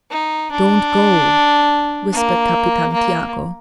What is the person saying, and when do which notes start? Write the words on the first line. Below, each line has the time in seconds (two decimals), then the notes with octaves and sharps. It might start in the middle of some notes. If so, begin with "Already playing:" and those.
"Don't go!" whispered Capitan Tiago.
0.11 D#4
0.51 D4
2.13 A#3
2.93 A#3